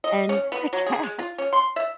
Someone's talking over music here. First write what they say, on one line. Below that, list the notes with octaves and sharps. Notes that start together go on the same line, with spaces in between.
and the cat,
D#5
C#4
B3
F#3
G#4
G#3
F4
C#4
C6
E5